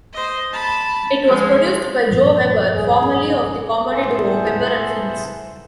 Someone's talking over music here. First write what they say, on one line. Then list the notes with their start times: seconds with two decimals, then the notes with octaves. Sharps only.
It was produced by Joe Weber, formerly of the comedy duo Weber and Fields.
0.13 C5 D#5
0.53 A5 B5
1.26 F3 G#3
2.11 G2 A#2 F3
2.74 G#4
3.90 A2 B3 G#4 A4 C5 E5